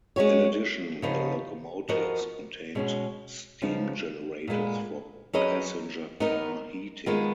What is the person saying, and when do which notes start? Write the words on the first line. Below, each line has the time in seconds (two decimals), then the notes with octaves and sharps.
In addition the locomotives contained steam generators for passenger car heating.
0.16 G#3 C#4 F#4 C#5
1.02 C#3 F3 B3 D#4
1.89 F3 B3 F#4 A#4 D#5
2.75 B2 G#3 C#4 F#4
3.62 C#3 F3 B3 D#4
4.48 A#2 G#3 B3
5.33 F#3 C#4 G#4 B4 D#5
6.20 B3 D#4 A#4 D#5
7.06 D#3 G#3 B3 F4